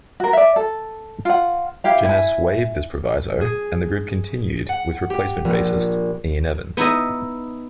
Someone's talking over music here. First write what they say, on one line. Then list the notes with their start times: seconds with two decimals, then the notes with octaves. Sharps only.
Jenness waived this proviso, and the group continued with replacement bassist Ean Evans.
0.20 F#4 A#4
0.33 D5 E5
0.56 A4
1.25 F4 F#5
1.84 E4 G4 F5
2.05 E4 G#5
3.41 G#4
4.69 F#5
5.10 G4
5.45 A#1
6.77 B3 D#4 E4 D#5